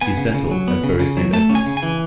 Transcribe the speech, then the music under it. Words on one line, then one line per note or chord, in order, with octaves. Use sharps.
He settled at Bury Saint Edmunds.
B3 G#5
C#3
C#3
F#3
B3
C#3
C#3
F#3
A3 A5
C#4
G#5
C#3
G#5
E3